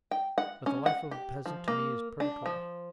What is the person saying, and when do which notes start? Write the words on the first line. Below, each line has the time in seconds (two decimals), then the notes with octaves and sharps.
But the life of a peasant to me is purgatory.
0.11 G5
0.38 F#5
0.66 C#4
0.86 F#5
1.11 G4
1.46 F3
1.68 A#3
2.20 D4
2.46 F3